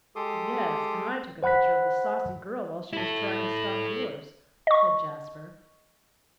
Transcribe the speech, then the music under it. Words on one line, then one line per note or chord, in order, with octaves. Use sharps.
"Yes, and I took a picture of the saucy girl while she was trying to stop yours," said Jasper.
G#3 G4 A4 C6 D6 D#6
C5 F#5 B5 F#6 B6
E4 A4
D#5 C#6